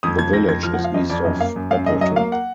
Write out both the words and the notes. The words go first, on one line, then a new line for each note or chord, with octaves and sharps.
The village is east of Appleton.
F2 D#6
F3 G#6
F2 A#6
F2 G#6
F3 F6
F#5
F3
F5
F2 D#5
F2 D5
F#2 D#5
A#3 F5
F#2
F#2 F5
F#2 D#5
F#3 D#5
A#3 F5
F#5